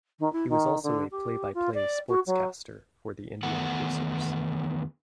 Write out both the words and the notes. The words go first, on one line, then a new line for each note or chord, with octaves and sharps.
He was also a play-by-play sportscaster for the Indiana Pacers.
D#3
E4
D#3
D3
G4
F4
D5
F#4
F#3
E2 D#3 A3 B3 F#5